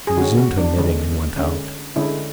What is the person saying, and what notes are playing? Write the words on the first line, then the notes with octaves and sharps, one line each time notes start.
She resumed her knitting and went out.
G#4
D3 G#3 C#4 F#4
F#4
D4
D3 G#3 C#4
D3 G#3 C#4
D3 G#3 C#4 E4